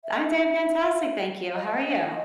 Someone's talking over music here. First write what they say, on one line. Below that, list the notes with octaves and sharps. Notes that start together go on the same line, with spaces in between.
I'm doing fantastic, thank you. How are you?
E5
D#5
E5
D#5